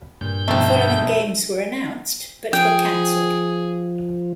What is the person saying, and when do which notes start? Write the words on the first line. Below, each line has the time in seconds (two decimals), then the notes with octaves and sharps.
The following games were announced, but were cancelled.
0.21 G2 A#2 G6
0.48 F1 F2 B2 A3 C4
2.53 F3 G#4 G5